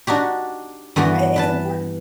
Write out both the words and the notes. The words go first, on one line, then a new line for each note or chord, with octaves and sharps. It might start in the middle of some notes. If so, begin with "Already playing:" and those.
I is important.
D4 D#4 F#4 G4
G2 E3 B3 F#4 G5
E3 B4 A5